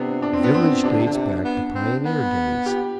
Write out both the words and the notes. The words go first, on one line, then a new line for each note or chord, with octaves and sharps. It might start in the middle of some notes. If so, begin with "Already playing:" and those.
The village dates back to pioneer days.
Already playing: C3 B3 D4
D4
C4
B3
C4
C3 D4
D3
C3
D3
C3
B3
C4
B3
G4